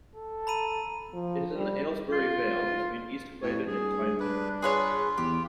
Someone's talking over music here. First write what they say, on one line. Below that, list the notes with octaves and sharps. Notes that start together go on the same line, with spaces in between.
It is in the Aylesbury Vale, between East Claydon and Quainton.
A4
A#5 B5 D#7
F3
G3
F4
F2 A2 C#5
G2 G#4
D4 B4
F4 G#4 B4 C#5
E2 G4